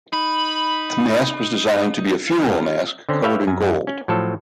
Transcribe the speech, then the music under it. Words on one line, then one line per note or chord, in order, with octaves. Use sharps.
The mask was designed to be a funeral mask covered in gold.
D#4 B5
F4
D3 C4 C#4
G4 B4 C#5 E5 F5 G5
F#2 G#5
C#4
A2 F3 F#3 A4